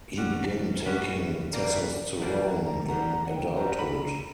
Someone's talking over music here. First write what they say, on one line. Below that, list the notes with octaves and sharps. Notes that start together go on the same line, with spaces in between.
He began taking testosterone in adulthood.
G3 C#4 F#4
A#4
G3 C#4 F#4 B4
B2 G3 A#3 D4 A#4
B4
B2 G3 A#3 D4 D5
A#5
A#5
D3 G3 B3 F#4 A#5
A#5
F#5
G5
D3 G3 B3 F#4 A#5
B5
A#5